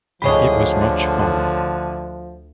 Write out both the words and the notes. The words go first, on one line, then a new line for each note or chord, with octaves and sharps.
It was much fun.
D2 D3 F3 G4 G#4 C#5 D#5 B5